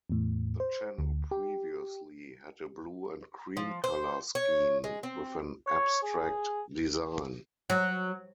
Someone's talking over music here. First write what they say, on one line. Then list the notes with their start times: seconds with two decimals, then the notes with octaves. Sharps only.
The channel previously had a blue and cream colour scheme, with an abstract design.
0.10 E2 A2
0.60 C5
0.98 D2
1.31 G4
3.57 F3
3.84 C5
4.35 C#5
4.84 G#3
5.03 C4
5.67 C#5
6.02 G#4
7.70 F#3